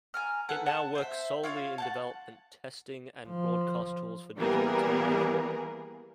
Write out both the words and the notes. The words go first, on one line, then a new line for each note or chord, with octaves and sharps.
It now works solely in development, testing, and broadcast tools for digital television.
G#5 A#5 F6
A4 B4 F#5 G#5
F#5 A5
C5 E5
F4 C#5 D5 F5
F#5 G5 A5
F3
E3 G3 A#3 B3 G#4 A#4